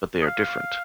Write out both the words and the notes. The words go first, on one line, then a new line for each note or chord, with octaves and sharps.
But they are different.
D#5
F5